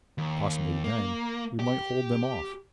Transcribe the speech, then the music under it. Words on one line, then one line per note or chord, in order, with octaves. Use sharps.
Possibly then we might hold them off.
D#2
A#3
G4